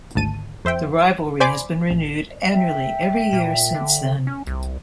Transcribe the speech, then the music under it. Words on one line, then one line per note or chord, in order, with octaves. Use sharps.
The rivalry has been renewed annually every year since then.
G#1 D2 A5 D#7
F2 C5 E5 G5
C5 D5 G#5 B5 C6 D6
A1
E5 G5
A#2
D3
C#4
C2